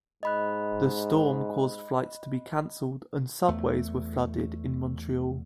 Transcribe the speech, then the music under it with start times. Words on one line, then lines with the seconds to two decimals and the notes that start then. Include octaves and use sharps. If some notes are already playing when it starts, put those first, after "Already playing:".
The storm caused flights to be canceled, and subways were flooded in Montreal.
0.23 G#2 D#5 B5 F#6
3.48 E2 A3